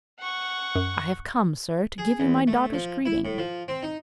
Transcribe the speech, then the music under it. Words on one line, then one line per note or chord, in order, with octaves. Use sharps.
'I have come, sir, to give you my daughter's greeting.
F#5 C#6
F#2
G#4
E2
A3
F3
E4
A2
F3
C4
D#4